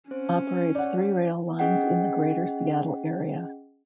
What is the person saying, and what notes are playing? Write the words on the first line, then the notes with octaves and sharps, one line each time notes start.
Operates three rail lines in the greater Seattle area.
C4 C#4 C5
C#5 D5 F#5
C#4 G#4 D#5 F#5 G5